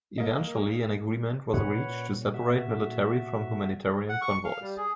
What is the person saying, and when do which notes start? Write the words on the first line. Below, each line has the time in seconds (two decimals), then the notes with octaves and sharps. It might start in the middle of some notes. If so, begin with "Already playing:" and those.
Eventually an agreement was reached to separate military from humanitarian convoys.
0.18 A#3 D#5
1.54 A#2 C#4 B4 C#5 F#5
2.34 F#4 E5
4.09 F#5
4.21 C#6
4.45 F5
4.61 G3
4.77 G#4